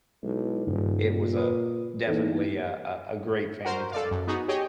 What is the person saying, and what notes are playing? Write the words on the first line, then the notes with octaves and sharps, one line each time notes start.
it was a definitely a a a great family time.
B1 G#3 E4
D#1 G2 C#3
A#2
B4 D#6
E2 A#3 D#4 A4
F#4 A#4 C5
A4 D5 F5
F#2
B3 D#4 F#4 G#4
G4 G#4 C#5 D#5 G5